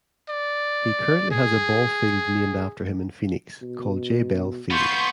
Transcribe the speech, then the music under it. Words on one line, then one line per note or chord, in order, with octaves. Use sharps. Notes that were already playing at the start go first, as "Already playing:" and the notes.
He currently has a ballfield named after him in Phoenix, called Jay Bell Field.
D5
G#4
B2
B3 F4 C6 C#6 G6